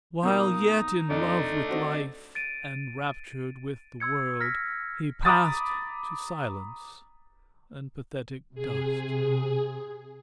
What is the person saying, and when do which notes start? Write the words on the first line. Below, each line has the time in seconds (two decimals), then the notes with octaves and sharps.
While yet in love with life and raptured with the world, he passed to silence and pathetic dust.
0.23 B2 A#3 D#4 D#6
1.10 F2 A3 D4 D#5
1.69 C4 F#4
2.35 A6 D7 D#7
4.00 C6 E6 G#6 C#7
4.41 F6 A#6 B6
5.25 A#5 B5 D6 D#6 A6
8.55 C3 G#4